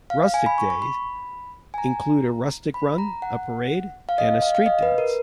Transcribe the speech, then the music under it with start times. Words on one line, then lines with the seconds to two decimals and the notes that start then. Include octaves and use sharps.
Rustic Days include a Rustic Run, a parade, and a street dance.
0.10 F5
0.34 G#5
0.46 B5
0.58 C#6
0.70 C#6
0.82 B5
1.74 G#5
1.78 A#5
2.74 B5
2.98 A#5
3.22 F#5
4.09 F5
4.18 D#5
4.42 F5
4.55 F5
4.66 D#5
4.83 B4
4.98 A#4